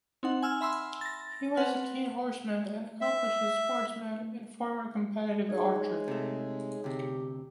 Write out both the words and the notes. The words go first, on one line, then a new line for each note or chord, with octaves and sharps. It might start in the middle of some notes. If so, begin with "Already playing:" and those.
He was a keen horseman and accomplished swordsman and former competitive archer.
C4 D#4 F#5
G#5 E6 F6
E5 B5 C6 E6
A6 A#6
C4 B4 F#5
E5
G#3 D#4 G#4 C#5
C3 A3
D2 C3 G4